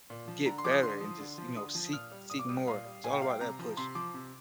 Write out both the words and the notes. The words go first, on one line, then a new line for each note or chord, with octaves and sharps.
get better, and just, you know, seek seek more. It's all about that push.
A#2
F3
D3 A#5
C6
F3 D6
D#6
D3 C6
F3
D3
F3
D3 D#6
F3
A#2 F6
G3
A#2 D#6
D6
G3 D#6
A#2 F5
G3
A#2 G#5
G5
G3 F5
G5
C3 A#5
F3
C3 C6
F3 D6
C3